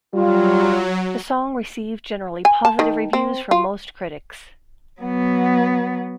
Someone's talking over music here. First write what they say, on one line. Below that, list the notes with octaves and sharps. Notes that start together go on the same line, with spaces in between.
The song received generally positive reviews from most critics.
F#3 G3 F4
G#5
A5
D#3
C4
F4
F#3 B3